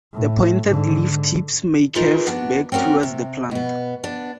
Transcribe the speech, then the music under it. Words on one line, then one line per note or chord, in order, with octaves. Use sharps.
The pointed leaf tips may curve back towards the plant.
A2
G#2 D3
G#3 D#4 F4 G#4 A#4 B4
B3 D4 F#4
C4 C#4 F#4 A#4 D5
C3
B2 B3
B3 D4